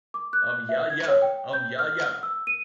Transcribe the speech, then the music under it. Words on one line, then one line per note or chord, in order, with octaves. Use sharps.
Um Yah Yah!Um Yah Yah!
D6
F#6
E5
G#6
C#5
G5
G6
F6
F#5
E6
D#7